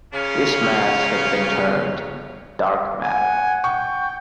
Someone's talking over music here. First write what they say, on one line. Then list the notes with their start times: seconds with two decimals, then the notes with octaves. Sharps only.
This mass has been termed "dark matter".
0.14 C#3 A#3 C#4 F4
3.03 F#5 G#5
3.64 G5 C#6